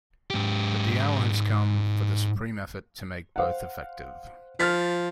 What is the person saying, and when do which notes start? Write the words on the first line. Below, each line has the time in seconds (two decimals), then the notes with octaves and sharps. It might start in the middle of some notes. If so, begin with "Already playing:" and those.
But the hour has come for the supreme effort to make both effective.
0.30 G#2 G4
3.36 C5 F5 F#5
4.60 F3 F6 A6 B6